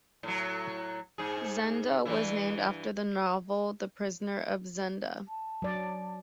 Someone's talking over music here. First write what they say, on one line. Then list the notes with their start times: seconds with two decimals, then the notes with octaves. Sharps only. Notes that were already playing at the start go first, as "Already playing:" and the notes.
Zenda was named after the novel "The Prisoner of Zenda".
0.23 A2 F#3
1.18 G#2 G#4
2.05 G2 E3 E4
5.28 A5
5.62 F#3 D5